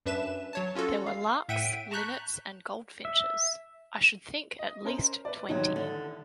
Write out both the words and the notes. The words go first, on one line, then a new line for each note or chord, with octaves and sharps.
There were larks, linnets, and goldfinches — I should think at least twenty.
F#2 D4 B4 E5 E7
F#3 C#5 A5
C#4 F4 F#4 A4
F5
A2 E5 F#5 G5 D7 D#7
A5 A#5 C#6 F#6 G6 B6
E5
D#5
C#4 A#4 C5
B4 D5
G2 C3 D#3 E3 F#3 D#4
D3